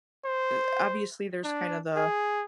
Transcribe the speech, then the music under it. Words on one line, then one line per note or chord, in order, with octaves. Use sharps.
eh, obviously, there's kind of the
C5
D4
G#4